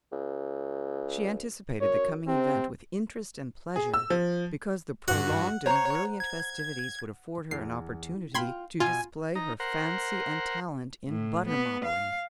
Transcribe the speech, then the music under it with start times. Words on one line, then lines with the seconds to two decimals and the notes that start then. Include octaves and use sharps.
She anticipated the coming event with interest and pleasure, because the prolonged and brilliant festivities would afford her an opportunity to display her fancy and talent in butter modelling.
0.12 C#2
1.81 F#2 C#5
2.28 C3 C4
3.76 G#4
3.94 E6
4.10 F3
5.08 G2 F#4 F#5
5.66 C5 C#5 A#5
6.20 G#6
7.51 E2 C7
8.34 F4 G5 B5 C6 G#6
8.80 B2 F4 G#5
9.35 D#4 A#5
9.60 A#4 C5 F#5
11.08 A2
11.48 B3
11.84 F5